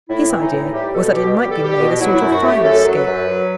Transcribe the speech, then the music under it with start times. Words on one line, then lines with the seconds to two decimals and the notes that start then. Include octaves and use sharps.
His idea was that it might be made a sort of fire-escape.
0.09 A2 E4
0.29 E3 C4
0.41 D#4
0.53 A2
0.73 G3 G4
0.94 B2 A4
1.15 B2 G4
1.36 G3 G4
1.51 A4
1.58 G3
1.64 G4
1.79 B2
2.00 F#3 E4
2.16 E4
2.21 F#2
2.32 F#4
2.43 A3
2.48 G4
2.64 F#2 A4
2.85 F#3
2.95 B4
3.06 F#2
3.28 F#3